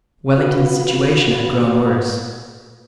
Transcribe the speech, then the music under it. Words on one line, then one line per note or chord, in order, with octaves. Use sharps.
Wellington's situation had grown worse.
F4 F#4 B4